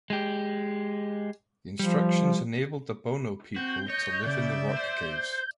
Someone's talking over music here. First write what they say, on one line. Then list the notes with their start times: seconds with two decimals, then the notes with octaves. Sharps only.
The instructions enabled the Bono people to live in the rock caves.
0.10 G#3 G4
1.79 F3 G3
3.56 C4 F#4 G6
3.90 C#5 D#5
4.26 C#3 D5 E5
4.77 C5